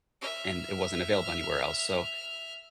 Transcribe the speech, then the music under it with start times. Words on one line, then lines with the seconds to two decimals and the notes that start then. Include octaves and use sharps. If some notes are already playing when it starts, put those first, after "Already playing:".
and it wasn't available anywhere else. So,
0.21 E5 F6